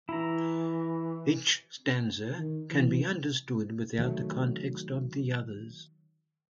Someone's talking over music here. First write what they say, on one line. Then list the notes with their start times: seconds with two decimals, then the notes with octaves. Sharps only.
Each stanza can be understood without the context of the others.
0.09 E3 E4 A#5
2.38 D#3
2.71 E3
3.98 D#3 F#3 A3